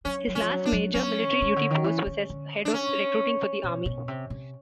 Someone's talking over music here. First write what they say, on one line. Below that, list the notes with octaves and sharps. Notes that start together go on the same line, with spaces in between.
His last major military duty post was as head of recruiting for the Army.
F#3 C#4
F#3
C#4
F3
F#3
D4
F#3
F#3 C#4
C3
C#3
D3
D#3
E3
D3
D3
D4
C#4
B2
B2
C3
C3